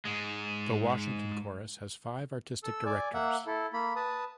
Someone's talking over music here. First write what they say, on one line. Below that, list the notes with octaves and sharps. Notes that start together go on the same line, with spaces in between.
The Washington Chorus has had five artistic directors.
G#2 G#3
A4 E6
D5 G#5
A#3 E5 F#5
E4 A4
A#3 B5
B4 A5 D#6